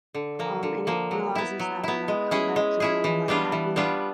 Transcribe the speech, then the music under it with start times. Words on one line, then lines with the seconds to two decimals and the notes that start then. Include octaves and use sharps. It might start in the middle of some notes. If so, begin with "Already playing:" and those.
um, and it realizes that when I come back to normal like, happy,
0.14 D3
0.39 F3 A#3
0.63 D3
0.87 F3 A#3
1.11 F#3
1.35 B3 E4
1.59 F#3
1.83 B3 E4
2.08 G#3
2.31 C#4 E4 G#4
2.56 G#3
2.80 C#4 E4 G#4
3.04 E3
3.28 G3 B3 D4 F4
3.52 E3
3.76 G3 B3 D4 F4